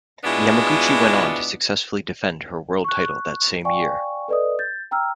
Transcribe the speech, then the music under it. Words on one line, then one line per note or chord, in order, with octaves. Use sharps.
Yamaguchi went on to successfully defend her World title that same year.
B2 G#3 B3 D4 E4 F4
C#6 F#6
D5 F5 G5 G#5 C#6
A4 B4 D5 D#5 D#6
G6 A6
G5 A#5 E6 F6